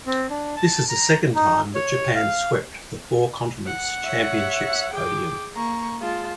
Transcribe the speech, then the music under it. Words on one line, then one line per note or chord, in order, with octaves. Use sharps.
This is the second time that Japan swept the Four Continents Championships' podium.
C4
D4
A5
A#5
D#4
C#5
F5
F#5
C#5 E5
G#4 G5 D6
A#3 A#5 C#6
G#3 F4 A5